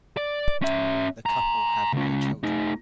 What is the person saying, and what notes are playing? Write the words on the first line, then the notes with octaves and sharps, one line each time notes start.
The couple have no children.
D5
C#4 E5
G#5 A#5
C#2 C#4
A3 D#4